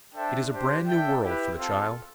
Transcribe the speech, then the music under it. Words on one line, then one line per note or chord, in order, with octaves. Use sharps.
It is a brand-new world for the child.
D4 A4 C5 E5 G5
D4 G4 C5
D4 A4 E5 G5
E4 G4 B4
C4 F4 A4